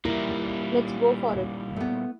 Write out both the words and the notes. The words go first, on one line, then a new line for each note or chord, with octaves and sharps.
Let's go for it.
A#2 G3 E4 A#4
A3 B3